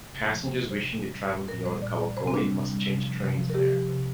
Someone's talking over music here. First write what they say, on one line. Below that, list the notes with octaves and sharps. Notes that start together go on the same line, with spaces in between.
Passengers wishing to travel beyond Kawagoe must change trains there.
C3
F3
C3 C5
F3
C5
C3
G3
A#2
G3
A#2 A#4
G3 C5
A#2 D5
G3 D5
C3 C5
C4
G3 D4
C3
G3
C3
F3
C3
F3
A#4
C3 G4
F3
C3